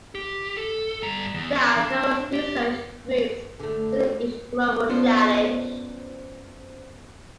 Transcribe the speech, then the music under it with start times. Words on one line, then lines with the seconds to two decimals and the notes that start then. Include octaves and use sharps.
There are numerous research groups within each Global Challenge.
0.15 G4
0.57 A4
1.03 G2 A#5
1.34 E2
1.76 D4
2.33 G4
3.60 D3 A3
4.90 B3 C#4 D4 F4 C5